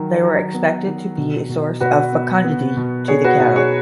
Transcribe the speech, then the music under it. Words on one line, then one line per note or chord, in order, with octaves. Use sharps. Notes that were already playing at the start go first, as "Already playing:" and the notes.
They were expected to be a source of fecundity to the cattle.
Already playing: D#3 F#3
F#3
B3
D#3
B2
B2
B2 F#4 B4
B3
B3
B2
B3 G#4 C#5
F#4 B4
B2 D#4
G#4 C#5